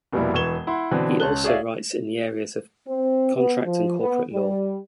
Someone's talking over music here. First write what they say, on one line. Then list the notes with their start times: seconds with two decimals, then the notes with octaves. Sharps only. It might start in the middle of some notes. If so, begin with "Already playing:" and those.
He also writes in the areas of contract and corporate law.
0.12 F1 B2 G3 A#3 E4
0.34 E1 E3 C#6 G#6 E7 G7
0.67 E4 F#5 C6
0.91 B2 D3 E3 C4
1.20 C#2 C#5 A5 F#6 G7
1.43 F#4 G#4 C#5 D5 E5 F5
2.87 C4
3.35 B3
3.65 F3
4.00 B3
4.32 G3